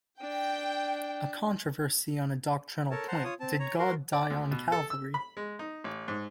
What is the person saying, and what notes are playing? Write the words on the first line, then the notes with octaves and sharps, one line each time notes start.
A controversy on a doctrinal point Did God die on Calvary?
D4 G5
A4 A#4 C#5 A5
C5 F#5 A5 A#5 C6
F4 C#5 D#6
C4 A5
C#5 A#5
F#4 A#4 C6
D5
D2
B2
A4
E6
B5
G#3
D#4
A1
G#2